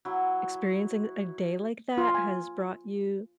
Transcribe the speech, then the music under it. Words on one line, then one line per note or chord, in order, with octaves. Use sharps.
experiencing a day like that has brought you
F#3 E4
F4
G#5